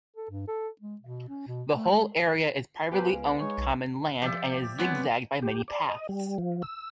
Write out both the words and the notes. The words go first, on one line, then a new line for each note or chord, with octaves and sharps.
The whole area is privately owned common land and is zigzagged by many paths.
A4
G2
A4
G#3
B2
C#4
B2
A3
G#3
B3 G4 B4 C5 G#5 D7
C#2 B4 F5 G#5
G#3 D#4 C#5
B1
F3 G4 D5 E5
F#3 G#3 B3 C4 B4
G4
D5
D#5
G3
F3
E6